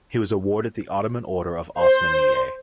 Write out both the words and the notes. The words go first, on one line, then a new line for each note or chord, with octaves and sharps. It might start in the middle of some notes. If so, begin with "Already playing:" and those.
He was awarded the Ottoman Order of Osmanieh.
C5